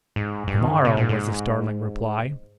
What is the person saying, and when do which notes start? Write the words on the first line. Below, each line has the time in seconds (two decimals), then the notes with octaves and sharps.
"To-morrow," was the startling reply.
0.16 G#2
0.47 G2
0.61 D#3
0.73 D3
0.84 C3
0.97 A#2
1.09 G#2